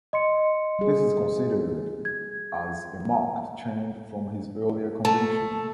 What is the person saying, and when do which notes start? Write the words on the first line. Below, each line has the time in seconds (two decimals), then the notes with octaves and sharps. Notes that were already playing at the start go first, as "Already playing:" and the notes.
This is considered as a marked change from his earlier convictions.
0.13 D#5 C6 C#7
0.79 G3 G#4
2.05 G#6
5.05 A3 A5